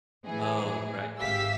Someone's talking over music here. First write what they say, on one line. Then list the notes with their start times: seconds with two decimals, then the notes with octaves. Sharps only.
Oh, right.
0.24 A2 E3 G#4
1.20 G#1 G4 E5 F5 E6 B6